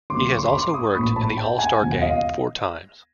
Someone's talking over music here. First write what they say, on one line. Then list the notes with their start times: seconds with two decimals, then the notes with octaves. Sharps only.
He has also worked in the All-Star Game four times.
0.10 D2 C#3 F#3 A#3 C6 D6
0.31 C#6
0.39 C6
0.45 B5 C#6
0.52 C6 D6
0.74 C#6 D#6
0.95 A#1 A2 F3 A#3 B5 C#6
1.16 A5 B5
1.37 G5 A5
1.59 F#5 G#5
1.80 E1 D#2 C#3 F3
1.92 F#5
2.02 D#5 F5